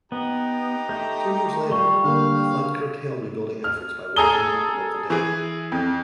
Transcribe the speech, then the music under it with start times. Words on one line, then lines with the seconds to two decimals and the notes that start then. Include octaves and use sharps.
Two years later, a flood curtailed rebuilding efforts by washing out the local dam.
0.12 B3 D#4 G4 A#5
0.89 A3 G6
1.72 F3 G3 F4 C#6
2.04 D3 A#3 F5
3.64 F6
4.16 G#4 A4 G#5 A#5 D#6 G7
5.10 E3 G#4
5.72 F2